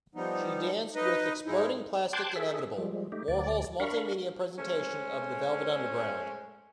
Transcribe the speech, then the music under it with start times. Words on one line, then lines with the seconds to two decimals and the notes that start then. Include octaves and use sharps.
She danced with "Exploding Plastic Inevitable", Warhol's multimedia presentation of the Velvet Underground.
0.15 F3 G3 B3 D#4
0.95 D#4 B4 D#5
1.46 G#2 G#3 D#4 E4
2.13 G5 A5 C6 D6 F#6 G#6
2.36 G#4 A4 E5
2.78 F3 G3 G#3
3.12 A3 D#4 G4
3.28 D2 D5
3.80 D4 A#4 F5 B5 C#6
4.58 G#3 A3 C#4 C5